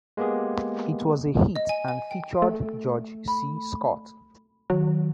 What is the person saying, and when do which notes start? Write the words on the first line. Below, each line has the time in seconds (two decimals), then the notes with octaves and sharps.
It was a hit and featured George C. Scott.
0.17 G#3 A#3 B3 G4 G#4
1.56 D#5
1.69 G#5
1.88 G#5
2.11 G5
2.42 A3
3.28 B5
4.70 D#3 F#3